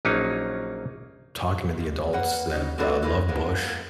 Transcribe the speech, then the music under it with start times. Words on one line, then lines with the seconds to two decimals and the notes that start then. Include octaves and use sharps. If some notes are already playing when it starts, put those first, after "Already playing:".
talking to the adults that, uh, loved Bush,
0.05 A#1 F#3 A#3 C#4 D#4
1.80 G3
2.13 A#3 B4 F#5
2.52 C#3 D#4
2.78 A#3 C4 D4 F#4 A4 B4
3.02 F2 A#2 D#3 A#3 E4 B4
3.28 A#2 G#3 A#3 B3